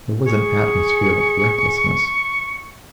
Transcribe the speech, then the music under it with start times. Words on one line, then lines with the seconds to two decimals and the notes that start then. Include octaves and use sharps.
There was an atmosphere of recklessness.
0.27 G#4 C#6